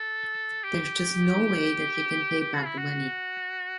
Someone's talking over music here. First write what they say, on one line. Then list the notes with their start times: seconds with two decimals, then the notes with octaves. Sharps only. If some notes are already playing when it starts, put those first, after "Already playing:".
There's just no way that he can pay back the money.
Already playing: A4
0.64 G4
2.41 G4
2.54 F#4
2.66 E4
2.78 F#4